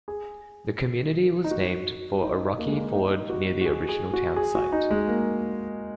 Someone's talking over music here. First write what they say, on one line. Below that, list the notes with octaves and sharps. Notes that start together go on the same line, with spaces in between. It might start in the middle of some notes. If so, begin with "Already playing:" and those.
The community was named for a rocky ford near the original town site.
G#4
D#4
F#4
D#4
A#3
G#3
A#3
D#4
F#4
F#4
G#4
G#4
F#4
G#4
F#4
D#4
G#3
A#3